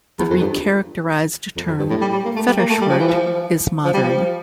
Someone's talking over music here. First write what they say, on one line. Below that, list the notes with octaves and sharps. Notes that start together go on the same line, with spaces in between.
The recharacterized term "Federschwert" is modern.
E2
F2
G2
F2
F2
G2
A2
G3
G3
A#3
A3
G3
A#3
A3
G3
F3
E3
F3
F3
G3
F3